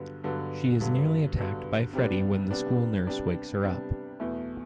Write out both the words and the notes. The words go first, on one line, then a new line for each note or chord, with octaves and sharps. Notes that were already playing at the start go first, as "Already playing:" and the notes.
She is nearly attacked by Freddy when the school nurse wakes her up.
Already playing: G2 D3 F#3 B3
G2 D3 F#3 B3
G2 D3 F#3 B3
G2 D3 F#3 B3
C3 G3 B3 D4
C3 G3 B3 D4
C3 G3 B3 D4
C3 G3 B3 D4
E2 B2 A3 E4